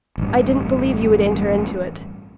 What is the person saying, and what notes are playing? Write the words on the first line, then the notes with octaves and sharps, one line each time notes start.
I didn't believe you would enter into it.
A1 G2